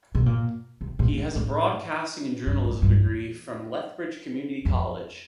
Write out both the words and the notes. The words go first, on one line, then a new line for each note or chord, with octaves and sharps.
He has a broadcasting and journalism degree from Lethbridge Community College.
B2
A#2
C3
A#2
A2
A2
G2
G#2
G2
E2
F2